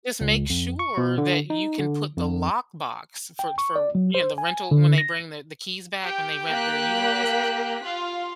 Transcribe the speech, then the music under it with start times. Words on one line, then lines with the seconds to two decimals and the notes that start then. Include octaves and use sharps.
Just make sure that you can put the lockbox for for, you know, the rental when they bring the the keys back and they rent the U-Hauls,
0.21 C#2
0.50 F2
0.79 C#6
0.97 B2
1.18 D3
1.50 D#4
1.79 D3
2.17 F2
3.39 G5
3.58 C#6
3.76 D5
3.95 F#3
4.15 C5
4.38 G#5
4.71 D3
4.98 A#6
6.02 G4 G5
6.50 A#3 F#6 B6
7.84 F4 F5 C6